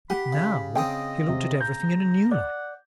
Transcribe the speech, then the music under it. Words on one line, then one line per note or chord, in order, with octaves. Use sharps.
But now he looked at everything in a new light.
G4 F#5 B5
C#3
C#3 C4 D#5 G5 D#6
C3
A#5 G6
D5 F#5